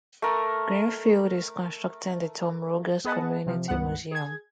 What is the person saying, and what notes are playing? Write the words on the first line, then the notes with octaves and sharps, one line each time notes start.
Greenfield is constructing the Tom Rogers Community Museum.
A3 A#4
B3 G#4 B4 D#5 F#5 A5
C3 F3
C#2 G2 B3 F#5
G#4 G#6